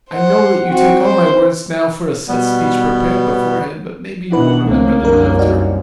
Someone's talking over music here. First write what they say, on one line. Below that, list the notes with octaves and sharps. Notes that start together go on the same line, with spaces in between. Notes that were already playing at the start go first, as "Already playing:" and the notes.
I know that you take all my words now for a set speech prepared beforehand, but maybe you will remember them after.
C5 F#5
C4 F#4
C5
B2 G3 B3
B2 D4 E4 B4 F#5
C#2 A3 A#3 C4
C2 F#2 F3 D4 A#4
D#4 F#4 D5